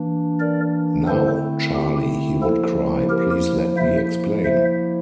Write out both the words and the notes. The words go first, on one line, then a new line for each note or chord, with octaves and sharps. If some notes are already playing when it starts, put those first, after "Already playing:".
"Now, Charlie," he would cry, "please let me explain!"
Already playing: E3 A#3 D4
A#4 D5
D3 A3 C4 E4 A4 C5
G4
F3 A#3 E4 A4
G4 A#4
F3 A#3 E4 C5 E5
C5 E5